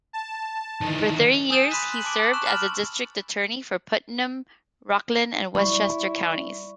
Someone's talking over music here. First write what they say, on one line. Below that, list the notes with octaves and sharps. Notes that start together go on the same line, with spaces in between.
For thirty years he served as district attorney for Putnam, Rockland, and Westchester Counties.
A5
D#3 E3
G#5 D#6 E6 G6 A6 E7
B5 C6 D#6 F#6 B6 D#7
C6 F#6 F#7
A5 C6 D6 D7
C#6 E6 F#6 E7
B5 F6 A6 F#7
G3 E4 D5 B5 C#6